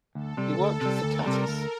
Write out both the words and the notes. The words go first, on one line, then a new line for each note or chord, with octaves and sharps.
He worked with the Tatas.
D2 A4
C3 G3
D2
C3 G3
D2 A#4
C3 G3
D2 A#4